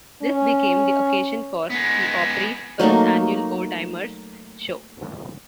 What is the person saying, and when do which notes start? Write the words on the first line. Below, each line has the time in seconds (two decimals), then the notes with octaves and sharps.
This became the occasion for the Opry's first annual Old Timers' Show.
0.23 C#4
1.70 G#3 B3
2.79 F#3 A3 A#3 D#4